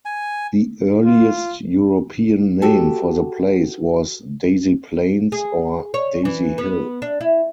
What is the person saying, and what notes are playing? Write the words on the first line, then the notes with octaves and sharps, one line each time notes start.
The earliest European name for the place was 'Daisy Plains' or 'Daisy Hill'.
G#5
F4
F#4 G4 A4
G#4
C#5
E3
B3
D4
E4